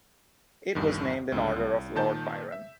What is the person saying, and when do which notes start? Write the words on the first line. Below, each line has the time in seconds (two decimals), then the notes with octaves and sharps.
It was named in honor of Lord Byron.
0.75 A#1 E2 G2 D#3
1.32 C#2 G#2 D3
1.56 C2
1.95 A#2 D#3 A5 G6
2.52 E5